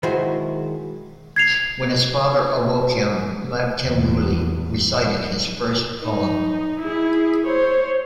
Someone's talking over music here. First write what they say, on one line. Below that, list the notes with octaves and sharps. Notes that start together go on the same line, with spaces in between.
When his father awoke him, Magtymguly recited his first poem.
D#3 F#3 G#3 E4 F#4 C5
G#6 C7 F7
E2
D#4
E4 G#4
C5 C#5